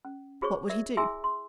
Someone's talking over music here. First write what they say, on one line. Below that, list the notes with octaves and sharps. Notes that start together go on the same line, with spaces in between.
What would he do?
C#4
F#4 G#4 C5 C#5 C#6
A#4 D5 E5
E4 G#4 E5 G#5 C6 E6
C6